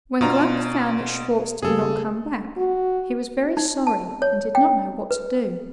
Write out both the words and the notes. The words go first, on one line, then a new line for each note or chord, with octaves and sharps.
When Gluck found that Schwartz did not come back, he was very sorry and did not know what to do.
B2 B3 D4 F4 A#5
C#3 G3 A#3 G#4 A4
F#4
D#4
A5
C#5
G5
B4